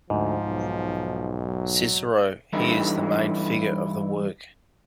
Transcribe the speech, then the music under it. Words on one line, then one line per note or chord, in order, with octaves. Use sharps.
Cicero - He is the main figure of the work.
D2 G#2 F3
B1
F#3
G2 E3 A3 D#4 E4